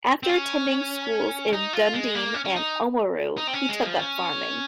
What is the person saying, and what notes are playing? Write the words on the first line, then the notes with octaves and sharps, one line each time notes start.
After attending schools in Dunedin and Oamaru, he took up farming.
C4
C#4
D#4
F4
G#3
A#3
C#4
C#4
D#4
D#4
C4
C#4
G#3
F3
C#4